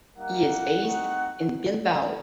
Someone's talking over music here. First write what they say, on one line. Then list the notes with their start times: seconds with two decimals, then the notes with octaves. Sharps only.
He is based in Bilbao.
0.16 G3 A#3 D#4 F#5
0.82 C4 D#4 F#4